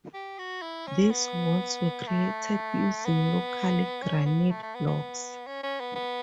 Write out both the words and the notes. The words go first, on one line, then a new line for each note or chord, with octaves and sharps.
These walls were created using local granite blocks.
G4
F#4
E4
C#4
B3
A3
B3
C#4
B3
A3
A3
B3
B3
C#4
C#4
B3
B3